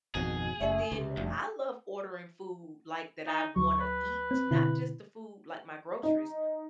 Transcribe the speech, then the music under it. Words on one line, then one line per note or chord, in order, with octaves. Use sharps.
and then I love ordering food like, that I wanna eat, not just the food, like my groceries.
G#1 F2 B2 G#4
F#1 A3
C#2 C3
F1 D2 G2
D#4
D2 F#3 C#6
B4
C4
B2 D3 E4
D#4